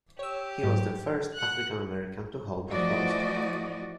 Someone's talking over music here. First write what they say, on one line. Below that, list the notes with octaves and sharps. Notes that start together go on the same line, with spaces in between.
He was the first African American to hold that post.
G4 C#5 E6
G#2 F#3
F#5 F#6
E3 F3 A3 F#4 D5 D#5